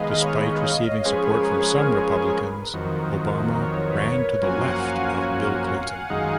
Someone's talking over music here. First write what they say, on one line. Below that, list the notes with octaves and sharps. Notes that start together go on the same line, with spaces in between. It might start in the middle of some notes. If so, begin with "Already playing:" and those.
Despite receiving support from some Republicans, Obama ran to the left of Bill Clinton.
Already playing: D#3 G#3 B3 D#5 F5
D#5
C#5
F3 G#3 C#4 G#4 B4
A#4
B4
A#4
A#4
F2 D#3 F#3
C#5
B4
C#5
F#2 F3 A#3 C#4 F#4 G#5
F5
F#5
F5
F#2 D#3 G#3 D#4